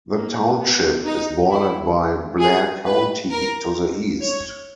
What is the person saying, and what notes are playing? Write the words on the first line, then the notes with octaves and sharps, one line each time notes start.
The township is bordered by Blair County to the east.
A#3
B3
D#4
E4
G#4
B4
A#4
C#5